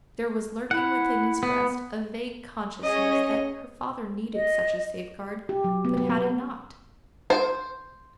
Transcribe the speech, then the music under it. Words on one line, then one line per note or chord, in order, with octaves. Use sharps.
There was lurking within his breast a vague consciousness that her father needed such a safeguard, but had it not.
E4 F#5
B3
C#4 G#4 C#5 D#5
D#5
G4
F#3
B3
B3
B3
C5